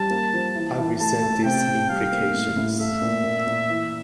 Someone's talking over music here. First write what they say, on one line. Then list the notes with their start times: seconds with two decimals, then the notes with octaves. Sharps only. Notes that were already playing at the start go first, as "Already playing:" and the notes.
I resent these implications.
Already playing: G3 A5
0.11 A#3
0.33 F3
0.55 E3
0.78 E3
1.00 A3 A5
1.23 A3
1.45 C3 G5
1.68 C3
1.90 G3 F5
2.12 A#3
2.34 A2
2.57 A2
2.79 A3 E5
3.02 A#2
3.24 A#2
3.47 A#2
3.69 E3